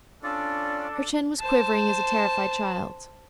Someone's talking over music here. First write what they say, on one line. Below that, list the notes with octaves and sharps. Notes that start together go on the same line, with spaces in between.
Her chin was quivering as a terrified child's.
C#4 D4 F4 A4 D5
C5 A5